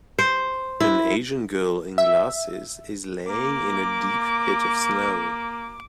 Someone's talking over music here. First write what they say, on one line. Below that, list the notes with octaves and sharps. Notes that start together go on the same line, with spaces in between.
An Asian girl in glasses is laying in a deep pit of snow.
C5
E4
E5
A#3 D6